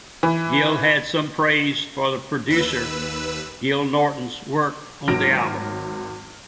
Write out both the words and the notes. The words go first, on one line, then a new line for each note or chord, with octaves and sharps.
Gill had some praise for producer Gil Norton's work on the album.
E3
D#2 B4 E6
G#1 F#3 F6 A#6 D7